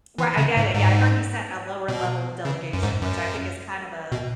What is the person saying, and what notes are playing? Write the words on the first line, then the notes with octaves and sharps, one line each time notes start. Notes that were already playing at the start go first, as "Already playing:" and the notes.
Right. I get it. Yeah, I heard he sent a lower-level delegation, which I think is kind of a
E3
C#3
G#2
G#2
B2
C#3
F#2
G#2
F#2
B2